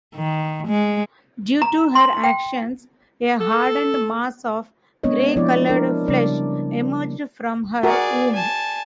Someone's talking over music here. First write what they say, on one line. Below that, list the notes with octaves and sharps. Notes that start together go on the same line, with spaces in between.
Due to her actions, a hardened mass of grey-colored flesh emerged from her womb.
D#3
G#3
A#5
C6
G5
A4
G#3 B3 C4 D4 C#5 D#5
F3 B3 D4 E4 D5
D4 A#4
C#3 G3 D4 D5
F#4 G#4 A#4 D5
G#5 A5